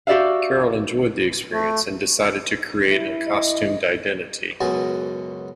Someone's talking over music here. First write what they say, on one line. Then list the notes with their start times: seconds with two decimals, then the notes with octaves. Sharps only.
Carol enjoyed the experience and decided to create a costumed identity.
0.07 F#4 G4 D5 E5 F5
1.52 A3
2.91 E4
3.26 D#5
4.61 C#2 F#2 B2 F#4 G#4 A5